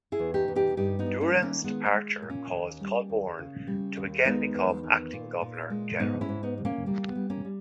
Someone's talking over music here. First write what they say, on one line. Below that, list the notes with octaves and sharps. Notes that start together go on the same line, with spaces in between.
Durham's departure caused Colborne to again become acting Governor General.
E4 G#4
E2
D#4 G4
E2
D#4 G4
G2 D#4 G4
B3 D#4
G3
A#3 C#4
D#3
A#3 C#4
G#3 B3
A#3
G#3
A#2
A#3 C#4
D#2
G3
D#2
C#3
G3
D#2
G#3 B3 D#4
E2
D#3
A#2
A#2
G#3
G#2 B3 D#4
C#4 E4
G#2
B3 D#4
G3
A#3 C#4
G3 A#3
B3
G3
A#3 C#4
G3